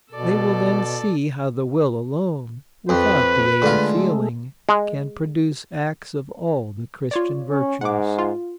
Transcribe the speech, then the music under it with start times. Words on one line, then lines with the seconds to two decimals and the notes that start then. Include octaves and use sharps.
They will then see how the will alone, without the aid of feeling, can produce acts of all the christian virtues.
0.12 B2 A4 D5
2.89 F2 B4
3.62 D3 G#3 A3 F4
4.69 G#3
7.11 F4 C#5 D5
7.50 C#4
7.81 G#2 F#5 D6
8.19 F4